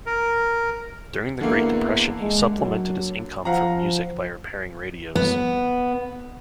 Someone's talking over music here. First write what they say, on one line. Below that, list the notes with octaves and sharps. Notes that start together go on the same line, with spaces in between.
During the Great Depression he supplemented his income from music by repairing radios.
A#4
E2 D3 A3 A#3
G#3
F#3
F3 F5 F#5 A#5
B3